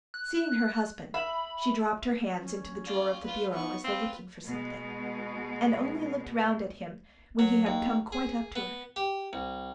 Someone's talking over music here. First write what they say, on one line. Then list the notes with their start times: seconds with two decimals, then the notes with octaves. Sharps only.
Seeing her husband, she dropped her hands into the drawer of the bureau as though looking for something, and only looked round at him when he had come quite up to her.
0.14 F#6
1.14 E5 B5
2.40 C#4
2.85 F4 D5
3.23 F4 B4
3.53 B3 D#4 C#6
3.84 C4 F4 B4 F5
4.45 B2 G#3
7.39 F#3
7.66 D#2
8.12 G#4
8.56 B3
8.96 G4
9.33 C2